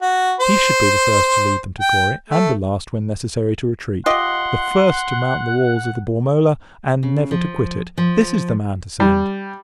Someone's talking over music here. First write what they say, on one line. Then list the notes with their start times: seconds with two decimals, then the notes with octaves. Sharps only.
He should be the first to lead them to glory; and the last, when necessary, to retreat: the first to mount the walls of the Bormola, and never to quit it. This is the man to send.
0.02 F#4
0.40 C5
1.80 G5
2.30 A3
4.06 F4 G4 D#5 F#5 C6
7.03 C#3
7.31 F3
7.98 F3
9.00 G3